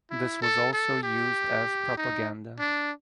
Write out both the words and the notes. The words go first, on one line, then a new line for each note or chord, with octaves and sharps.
This was also used as propaganda.
E4
A4
A4
G4
D#4
D4